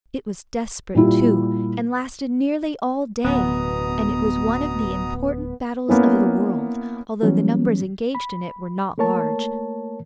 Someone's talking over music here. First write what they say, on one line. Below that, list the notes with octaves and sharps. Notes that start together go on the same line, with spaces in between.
It was desperate, too, and lasted nearly all day--and it was one of the important battles of the world, although the numbers engaged in it were not large.
A#2 G3 E4 F4
D1 B2 B3 A#5 D#6
A#3 B3 C#4 E4
E3 F#3 G3 B3 C#4
B5
A3 A#3 A#4 C#5 A5